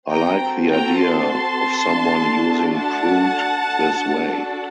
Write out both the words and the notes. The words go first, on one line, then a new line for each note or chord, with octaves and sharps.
I like the idea of someone using prude this way.
C4 F#4 A4 G5 A#5
G5 A#5
A5 C6
A3 D4 F#4 A4
F#5 A5
D4 F#4 A4